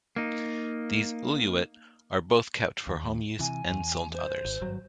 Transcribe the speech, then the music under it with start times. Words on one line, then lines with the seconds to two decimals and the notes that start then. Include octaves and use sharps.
These uluit are both kept for home use and sold to others.
0.16 A#3 D#4
2.87 D#2
3.39 C3 E3 G#5
3.71 E2
4.13 C5
4.45 G#1
4.61 G#1 G2 F#3